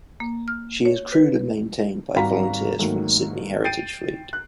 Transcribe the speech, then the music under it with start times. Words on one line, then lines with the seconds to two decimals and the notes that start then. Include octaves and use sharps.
She is crewed and maintained by volunteers from the Sydney Heritage Fleet.
0.20 A#3
0.48 F6
0.85 C#5
1.12 B4
2.15 G#1 G3 F#4 F5 A#5 B6
2.79 G#2 D#3 F#3 A3 A#3
3.64 G5 G6 A6 C7 D7 D#7
4.33 F#6